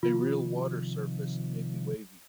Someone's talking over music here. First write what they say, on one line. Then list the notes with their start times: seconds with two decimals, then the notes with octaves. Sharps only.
A real water surface may be wavy.
0.03 C3 D#3 F3 F4